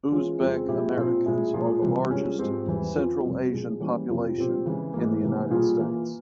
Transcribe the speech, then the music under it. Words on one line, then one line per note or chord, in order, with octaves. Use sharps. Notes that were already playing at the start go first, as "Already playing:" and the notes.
Uzbek Americans are the largest Central Asian population in the United States.
E3 G#3 C#4 F4
F2 C#3 F3 G#3 C4
A#2 G#3 E4 G4
A#2 F3 C4 F4
A#2 G#3 E4 G#4
A#2 F3 A#3 F4 G#4
C3 E3 G3
G2 F3 G#3 C#4 G4
G#2 F3 C4 G4
E2 E3 G3 C4
F3 C4 F4
F2 C3 G3 C4 G4
A#2 F3 G#3
E3 G3 A#3 C#4 G4
F2 C3 F3 C4
A#2 F3 C4 G4
C#3 E3 G#3
G#2 E3 A#3
C3 E3 A#3
A#2 G3 A#3 F4 G#4
E3 A#3 F4